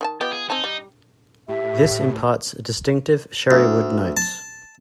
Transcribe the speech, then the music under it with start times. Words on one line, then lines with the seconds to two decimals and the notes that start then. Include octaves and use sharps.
This imparts distinctive sherry wood notes.
0.01 D#3 G#5 A5
0.21 B3 F4 G4 D#5
0.33 G#4
0.50 C4 D#4 G#5 A5
0.64 G3
1.48 A2 G4 E5
3.51 D2
4.17 A5